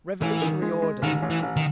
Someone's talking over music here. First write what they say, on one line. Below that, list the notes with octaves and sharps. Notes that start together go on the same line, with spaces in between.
Revolutionary order.
A1 E3
D#3
G#3
G#3
A1 D#3
A1
E3
A1
D#3